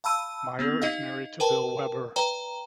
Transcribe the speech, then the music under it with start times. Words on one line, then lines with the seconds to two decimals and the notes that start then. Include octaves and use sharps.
Meyer is married to Bill Weber.
0.04 F5 A5 B5 E6 D#7
0.59 B3 C4 G4
0.82 D#4 G4 D#5 F5
1.40 A#4 B4 G5 A5
2.16 B4 D5 G5 A#5